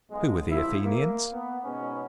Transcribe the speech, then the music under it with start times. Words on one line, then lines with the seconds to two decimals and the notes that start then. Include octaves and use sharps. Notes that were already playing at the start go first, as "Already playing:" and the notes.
Who were the Athenians?
0.10 B1 G#3
0.51 G#1 C3 F3 E4
0.84 A#3
1.32 B3
1.65 G#2 B2 B3 C#4